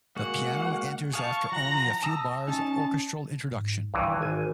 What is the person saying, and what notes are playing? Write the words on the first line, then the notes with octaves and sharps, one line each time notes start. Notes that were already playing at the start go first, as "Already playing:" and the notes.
The piano enters after only a few bars of orchestral introduction.
G#3 A#3 F#4 F#5
G#4 F5 A5 C#6
F3 F#5 A#5
A5 D#6 E6
C#4 D#4 A5
G#2
C2 G2 E3
D#3
G#1 G#5